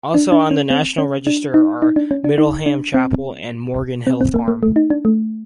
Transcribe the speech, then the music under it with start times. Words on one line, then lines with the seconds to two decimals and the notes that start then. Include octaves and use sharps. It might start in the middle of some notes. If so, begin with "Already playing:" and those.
Also on the National Register are Middleham Chapel and Morgan Hill Farm.
0.14 D4
0.32 D4
0.51 C#4
0.70 C4
0.98 C#4
1.27 D4
1.54 D#4
1.82 D#4
1.96 D4
2.11 C#4
2.24 D4
2.38 D#4
2.66 D4
2.94 C4
4.07 C4
4.21 C4
4.34 A#3
4.48 A#3
4.63 A3
4.76 D#4
4.90 D4
5.05 A3